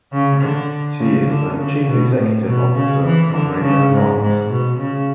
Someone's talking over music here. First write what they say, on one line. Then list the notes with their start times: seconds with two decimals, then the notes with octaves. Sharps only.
She is the chief executive officer of Radio France.
0.12 C#3
0.41 D3
1.00 C#3
1.29 D3
1.58 C#3
1.87 B2
2.16 A2
2.46 B2
2.75 C#3
3.04 E3
3.33 D3
3.62 C#3
3.91 G#2
4.20 G#2
4.50 B2
4.79 C#3